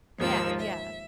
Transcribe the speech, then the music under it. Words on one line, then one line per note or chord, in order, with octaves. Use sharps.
Yeah, yeah.
D#2 G#2 F3 A#3 E6
E5